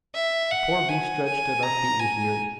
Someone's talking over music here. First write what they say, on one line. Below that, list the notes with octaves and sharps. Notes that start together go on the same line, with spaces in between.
The poor beast stretched at our feet was weary.
E5
F#5
G#5
G#5
A#5
G#5